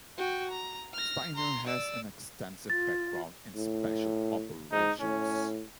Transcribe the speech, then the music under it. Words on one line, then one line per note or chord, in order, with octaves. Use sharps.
Stiner has an extensive background in special operations.
F#4 G5
A#5
F6 A#6
A#5 C6
D5 E6
F4 A6
A2
G#2 D#4
A2 C#4